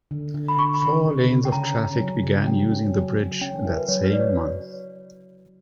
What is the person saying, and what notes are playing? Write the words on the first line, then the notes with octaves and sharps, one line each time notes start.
Four lanes of traffic began using the bridge that same month.
D3
D3
B5
D3 C#6
B5
D3
C#3
C#3
G5
C#4 A#5
C#4
F#3
C#3
F#3 G5
C#4
F#3
F#3
C#4 G5
E4 A#4
B4
F#3 C#5
B4
F#3 D5
C#5